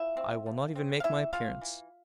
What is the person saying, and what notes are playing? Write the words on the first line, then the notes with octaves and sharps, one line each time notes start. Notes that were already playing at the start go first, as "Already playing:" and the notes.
"I will not even make my appearance."
Already playing: F3 E4 E5
C4
F3
C4
F5
E3 E4 E5
E3 F4 F5
E3